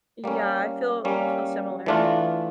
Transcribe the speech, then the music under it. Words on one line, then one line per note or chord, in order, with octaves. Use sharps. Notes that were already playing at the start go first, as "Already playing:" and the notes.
Yeah. I feel I feel similar.
G3 A#3 C#4
G3 A#3 C#4
E3 A3 D4 F4